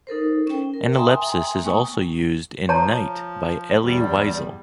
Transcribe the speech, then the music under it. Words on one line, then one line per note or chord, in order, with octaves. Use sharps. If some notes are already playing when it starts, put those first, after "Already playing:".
Analepsis is also used in "Night" by Elie Wiesel.
D#4 A4 A#4 C5
C#4 G5
A#4
E5 G5 G#5 A#5 C6 D#6
A#3 G5 G#5 C#6 D#6
F3 C#5 A5 A#5
E2 G3